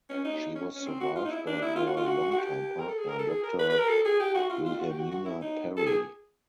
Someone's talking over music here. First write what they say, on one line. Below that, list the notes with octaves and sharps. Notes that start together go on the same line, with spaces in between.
She was survived by her longtime partner, Doctor Wilhelmina Perry.
C#4
D#4
C#4
C#4
C4
F#4
F4
D#4
E4
D4
E4
F4
F#4
F4
F#4
F#4
G4
A#4
A4
G#4
A#4
A4
G#4
A#4
B4
B4
A#4
A4
G#4
G4
F#4
F4
F4
F#4
G4
F#4
F#4
E4
D#4
A4
G#4